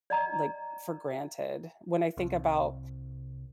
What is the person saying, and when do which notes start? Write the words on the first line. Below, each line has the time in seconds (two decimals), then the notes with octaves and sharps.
like, for granted. When I think about
0.10 D5 D#5 A#5
2.17 C2